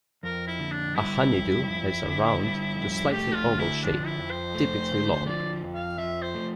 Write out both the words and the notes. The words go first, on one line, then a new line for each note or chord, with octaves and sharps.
A honeydew has a round to slightly oval shape, typically long.
F2 A#4
E4
D3
D4
G3 E4
F2
F2
D3
G3
F2
A3 G4
F4
D3
E4
F3 D4
E4
F2
C5
A3
D3
F3 D5
F2
F5
F3 E5
C5
A3